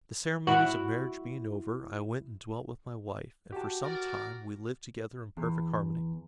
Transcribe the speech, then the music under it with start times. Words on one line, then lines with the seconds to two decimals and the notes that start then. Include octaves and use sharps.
The ceremonies of marriage being over, I went and dwelt with my wife and for some time we lived together in perfect harmony.
0.47 E4 F#4
3.52 F#4 G4 A5
3.84 A#4 D5
5.37 E2